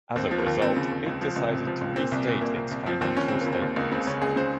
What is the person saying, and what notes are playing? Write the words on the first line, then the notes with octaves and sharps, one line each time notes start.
As a result, it decided to restate its financial statements.
D#2 C4
F3
A#3
D#2
D#2 C4
C#3
D#2
C#2
F3
C#2
C3
F3
C#2
A#2 C4
C2
A#2
C2 A#3
C2
C2
F3 C4
D#2 C4
D#2 C#4
C#3 C4
A#3
C#3
C4
D#2
C#2 A#3
C#3 C4
C#3 C#4
C#2 G#4
C#3 C5